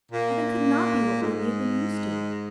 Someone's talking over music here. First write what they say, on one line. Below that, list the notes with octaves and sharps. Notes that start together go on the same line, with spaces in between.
Heaven could not be what Ruby had been used to.
A#2 A#3
G#2 G#3